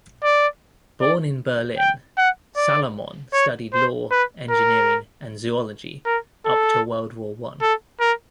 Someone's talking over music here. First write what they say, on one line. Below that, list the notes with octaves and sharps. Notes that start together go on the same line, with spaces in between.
Born in Berlin, Salomon studied law, engineering, and zoology up to World War One.
D5
D5
G5
F#5
D5
C#5
C5
B4
A#4
A#4
A4
A4
A#4